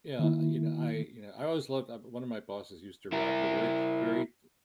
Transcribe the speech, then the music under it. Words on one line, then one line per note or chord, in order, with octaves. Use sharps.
yeah, uh, you know, I, you know, I always loved uh, one of my bosses used to wrap her very very
D#3 A#3 E4
E4 A#4